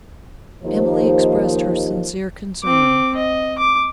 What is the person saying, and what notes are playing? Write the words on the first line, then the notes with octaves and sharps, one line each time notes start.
Emily expressed her sincere concern.
D#2 F3 D#4 G4 A#4 C5
C4 D6
D#5
D6